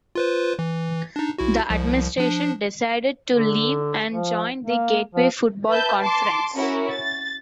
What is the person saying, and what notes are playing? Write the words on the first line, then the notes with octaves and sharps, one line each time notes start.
The administration decided to leave and joined the Gateway Football Conference.
F4 B4 C5
E3
D4 D#4
B1 E4 F#4
C2 F3
F3 D4
D3
F3
A#3
F3
B4 E5 A5 G6
A5 C6 D6
C#4 E4 F#4 A#4
A6